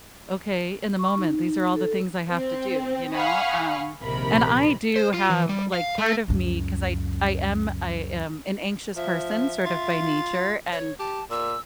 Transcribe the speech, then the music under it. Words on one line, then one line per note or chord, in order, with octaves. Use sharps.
"Okay, in the moment, these are all the things I have to do," you know? Um, and I do have, like part of me 'cause I t I am I am an anxious person sort of by nature, and,
C#6
D#4
A4
C4
F5 F#5 G#5 B5 C#6 D#6
A#1 C3 D#3 A#4 B5
C5
F4
E3
G3
F5
A3
C#2 F#2
F3 E5
F4
C#5
G4 A5
A#2 E6